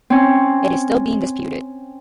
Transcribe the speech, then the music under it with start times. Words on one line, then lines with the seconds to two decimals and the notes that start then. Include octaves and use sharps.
It is still being disputed.
0.10 C4 C#4